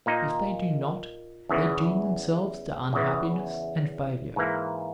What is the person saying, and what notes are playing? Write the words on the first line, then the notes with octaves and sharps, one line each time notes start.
If they do not, they doom themselves to unhappiness and failure.
A#2 A#3 D#4
E2 C#3 E3
E2 C#3 E3
G#2 E3 A#3